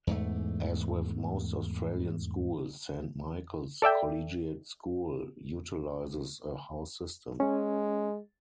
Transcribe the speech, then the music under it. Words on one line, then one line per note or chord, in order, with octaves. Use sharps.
As with most Australian schools, Saint Michael's Collegiate School utilises a house system.
E2 G#2 A3
A4 D5 E5 G5
G#3 C#4